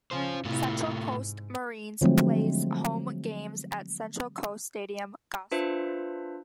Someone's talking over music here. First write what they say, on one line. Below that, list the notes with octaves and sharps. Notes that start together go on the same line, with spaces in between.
Central Coast Mariners plays home games at Central Coast Stadium, Gosford.
C#3 C#4 F4 C5
A2 C3 E4 F4
G#2
D3 F3 F#3 G#3 A3 C4
D4 F4 B4 C5 E5